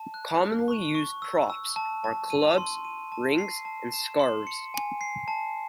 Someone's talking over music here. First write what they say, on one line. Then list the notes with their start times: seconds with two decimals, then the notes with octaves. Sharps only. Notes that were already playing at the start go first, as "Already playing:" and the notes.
Commonly used props are clubs, rings and scarves.
Already playing: A5
0.14 F#6
0.42 F#6
0.68 C#6
0.95 C#6
1.22 E6
1.50 E6
1.76 A5
2.04 A5
2.30 D#7
2.58 C6
2.85 D#7
3.12 A5
3.38 C7
3.65 A5
3.93 E7
4.19 C6
4.47 C#7
4.74 G#5
5.01 C7
5.28 A5